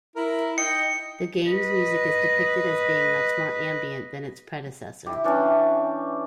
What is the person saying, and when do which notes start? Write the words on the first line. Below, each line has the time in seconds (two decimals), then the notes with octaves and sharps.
The game's music is depicted as being much more ambient than its predecessor.
0.16 E4 A#4
0.58 D#4 D#5 G5 C#7
1.49 B4 D#5
5.06 E4 G4
5.24 E3 C#4 D4